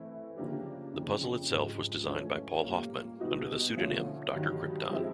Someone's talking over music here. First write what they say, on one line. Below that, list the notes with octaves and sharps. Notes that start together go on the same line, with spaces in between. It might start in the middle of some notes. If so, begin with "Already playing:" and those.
The puzzle itself was designed by Paul Hoffman under the pseudonym "Dr. Crypton".
Already playing: E3 A3 C4 E4
C#3 F3 A#3 D4 G4
F2 C#3 F3
G#2 F3 G#3
E3 A3 C#4 F4
A#2 G3 A#3
B2 G3 B3 D#4 F#4
D3 F3 A3 C#4 F4
G2 D#3 F#3
F3 G#3 C4 E4